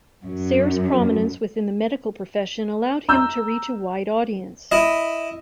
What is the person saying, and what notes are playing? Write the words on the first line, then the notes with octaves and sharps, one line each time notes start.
Sayre's prominence within the medical profession allowed him to reach a wide audience.
F#2
A#5 E6 G6
E4 D#5